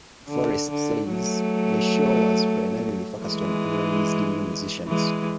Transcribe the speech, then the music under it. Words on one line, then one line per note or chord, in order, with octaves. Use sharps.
Forrest says, The show was primarily focused on unreleased new musicians.
D3
D3
F#3 A3
E3 G#3
E3 G#3